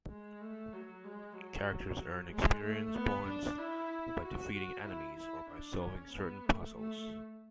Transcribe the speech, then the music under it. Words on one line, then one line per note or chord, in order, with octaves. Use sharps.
Characters earn experience points by defeating enemies or by solving certain puzzles.
G#3
A3
F#3
G#3
F#3
G#3
A3
B3
D4
E4
F#4
F#4
E4
E4
D4
C#4
B3
A3
A3